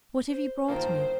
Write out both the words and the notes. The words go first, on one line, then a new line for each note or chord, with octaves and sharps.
What have you brought me?'
C5
G2 D#3 A#3 F4 A#4 C5